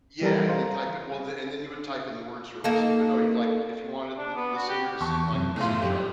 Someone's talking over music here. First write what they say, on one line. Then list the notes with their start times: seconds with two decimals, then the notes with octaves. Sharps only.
Yeah, and then type it well, and then you would type in the words for him to sing, but no, you'd like if you wanted the the singer to sing, like, in C sharp,
0.21 E3 G3 A4 A#4
0.49 C5 F5 A#5
2.64 A#3 D#4 A4
4.18 D4
4.36 B3
4.55 F#4
4.68 G4
5.01 E2 A5 C#6
5.32 F#2 C3
5.56 E2 A2 A3 F4
5.82 F#2 G4
5.95 G3